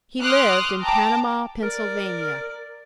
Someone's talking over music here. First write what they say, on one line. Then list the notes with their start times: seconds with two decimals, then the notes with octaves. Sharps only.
He lived in Panama, Pennsylvania.
0.22 C6 D6 D#6 F6 F#6
0.81 G5 A5 A#5 D6
1.63 A#4 D5